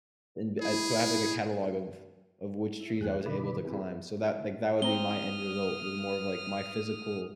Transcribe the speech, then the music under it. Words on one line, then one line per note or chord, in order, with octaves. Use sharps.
and I so I have, like, a catalog of of which trees I was able to climb. So that like, that would be my end result. It was more of, like, my physical
E4 G#4
E4
F2 E3 G4 G#4 F#6
B2 D3 D#3 D#4 D5 B5
B3 C4 E4 G4 G#4 B4
C4
C4 A#5 D#6 F6 G7